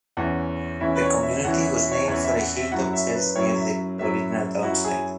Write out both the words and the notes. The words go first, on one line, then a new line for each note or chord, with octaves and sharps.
The community was named for a hilltop church near the original townsite.
E2 E3 C#4 E4 F#5
E2 E3 C#4 E4 E5
B4
C#5
E5
E2 E3 C#4 E4 F#5
E5
E5
C#5
E2 E3 C#4 E4 C#5
E5
F#5
E5
F#2 F#3 E4 F#5
E5
B4
F#2 F#3 E4 C#5
E5
F#2 F#3 E4 E5
F#2 F#3 E4 F#4
G#4